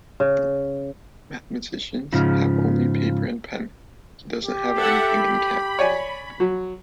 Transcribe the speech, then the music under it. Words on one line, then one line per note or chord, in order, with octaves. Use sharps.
Mathematicians have only paper and pen, he doesn't have anything in camp.
C#3
G#2 C#3 F3
G4
A4 E5 F#5
B5
C#5 D5 G#5
F#3